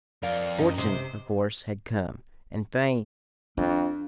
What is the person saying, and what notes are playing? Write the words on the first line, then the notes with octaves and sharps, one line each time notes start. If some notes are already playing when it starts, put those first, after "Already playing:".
Fortune, of course, had come, and fame.
F2 A#4 D5 F5
F#2 C#4 D#4 A#5
C3 G#3 C5
F2 D4